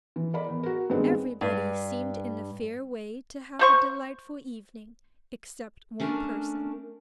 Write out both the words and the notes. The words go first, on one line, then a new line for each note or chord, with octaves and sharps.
Everybody seemed in a fair way to have a delightful evening except one person.
E3
A#4 D5 B5
E2
F#4 A#4
G2 D#3 G#3 B3 C4
G2
A3 C5 C#6
A3 C#4 D4 A#4 A5